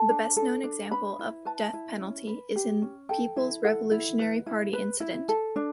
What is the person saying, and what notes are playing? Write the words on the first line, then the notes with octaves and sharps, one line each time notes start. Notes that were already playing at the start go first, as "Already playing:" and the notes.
The best-known example of death penalty is in People's Revolutionary Party Incident.
Already playing: A4 A5
D4
A4
D4
B4 B5
E4
B4 A5
E4
C#4
B4
G4
C#4
A4 G5
E4
A4 F#5
E4
B4
E4
B4
E4
A4
D4